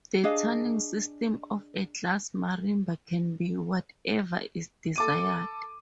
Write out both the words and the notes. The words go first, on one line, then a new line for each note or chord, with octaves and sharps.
The tuning system of a glass marimba can be whatever is desired.
D4 G#4 D#5 F5
A4 D6 D#7